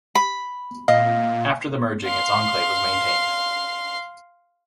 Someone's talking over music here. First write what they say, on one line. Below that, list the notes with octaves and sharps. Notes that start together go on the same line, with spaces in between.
After the merging its enclave was maintained.
B5
A#2 D#5 F5
F5 C6